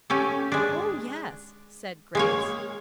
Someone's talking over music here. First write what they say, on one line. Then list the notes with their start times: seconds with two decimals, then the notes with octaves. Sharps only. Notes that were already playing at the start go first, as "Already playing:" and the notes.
"Oh yes," said Grace.
0.10 C#4 G4 A4
0.52 G#3 D4
2.15 G#3 A#3 C#5